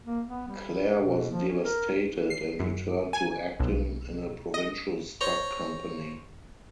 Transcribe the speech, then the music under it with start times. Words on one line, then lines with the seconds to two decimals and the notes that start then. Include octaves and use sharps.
Clare was devastated, and returned to acting in a provincial stock company.
0.06 A#3
0.28 B3
0.48 G3
0.99 B2
1.31 F3
1.48 C#4
1.64 A#4
2.30 C7
2.59 F#2
3.13 G#5
3.60 B1
4.54 D#5
5.21 C5 C#5 A#5